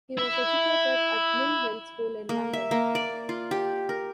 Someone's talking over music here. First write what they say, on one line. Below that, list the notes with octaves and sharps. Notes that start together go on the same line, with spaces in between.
He was educated at Mill Hill School in London.
E4 E5
A#3
E5
A#3
D5
F4
G4
A#4